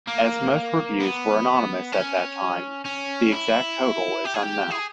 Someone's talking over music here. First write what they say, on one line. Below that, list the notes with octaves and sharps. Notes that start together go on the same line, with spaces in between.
As most reviews were anonymous at that time, the exact total is unknown.
A#3
B3
C#4
C#4
E4
G4
G#4
G4
G#4